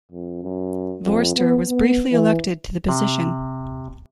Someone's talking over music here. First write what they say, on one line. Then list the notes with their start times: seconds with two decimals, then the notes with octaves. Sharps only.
Vorster was briefly elected to the position.
0.11 F2
0.43 F#2
1.04 F2
1.36 B3
1.68 B3
2.12 E3
2.89 C3